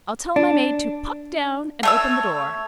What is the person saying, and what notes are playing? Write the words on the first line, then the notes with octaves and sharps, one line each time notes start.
"I'll tell my maid to pop down and open the door."
D4
A3 C#5 E6